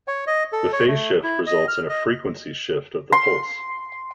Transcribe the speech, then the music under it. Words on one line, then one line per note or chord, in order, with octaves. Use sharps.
The phase shift results in a frequency shift of the pulse.
C#5
D#5
A4
C#5
A3
E4
D#5
F6
D#5
C6